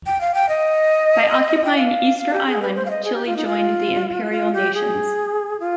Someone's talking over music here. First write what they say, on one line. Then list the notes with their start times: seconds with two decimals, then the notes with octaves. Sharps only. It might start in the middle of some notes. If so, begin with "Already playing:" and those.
By occupying Easter Island, Chile joined the imperial nations.
0.06 G5
0.21 F5
0.34 G5
0.49 D#5
1.65 G5
1.76 F5
2.18 F5
2.33 G4
2.47 G#4
2.62 B4
2.76 C5
2.85 F5
2.90 D#5
3.04 G#4
3.14 G4
3.26 F4
3.36 D#4
3.47 F4
4.32 F4
4.53 G4
4.74 G#4
5.60 F4